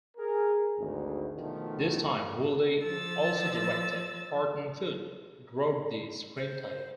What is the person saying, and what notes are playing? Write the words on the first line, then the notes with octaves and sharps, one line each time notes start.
This time Wilde also directed; Horton Foote wrote the screenplay.
G#4 A#4
G#1 D2
B2 D#3 F3 A3
F3 E6 A6
C5